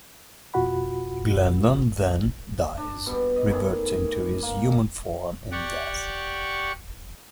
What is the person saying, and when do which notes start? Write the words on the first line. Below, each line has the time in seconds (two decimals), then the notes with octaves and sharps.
Glendon then dies, reverting to his human form in death.
0.54 F2 B2 F4 F#4 F#5 B5
2.77 D4
3.06 B2 G3
3.36 D#5
3.51 A2 D#3 G#4 D5
4.42 A#3
5.52 G4 D5 F#5 C#6